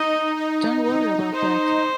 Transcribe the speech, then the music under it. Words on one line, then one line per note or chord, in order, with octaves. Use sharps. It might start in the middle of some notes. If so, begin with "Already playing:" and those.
Don't worry about that.
Already playing: D#4 D#5
D#4
D#4
D#4 C5